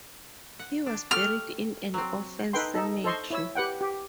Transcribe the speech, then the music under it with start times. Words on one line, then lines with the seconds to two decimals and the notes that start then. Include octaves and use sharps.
He was buried in an orphans cemetery.
0.59 F#5
0.86 D4
1.11 A3 G4 F6
1.94 F#3 C4
2.53 D#4 A4 B4 G5 C6
2.75 D#4 A4
3.04 A4 C5 D#5 C6 C#6
3.30 E4 C#5 E6
3.55 G4 B4 F#5 G5
3.81 G4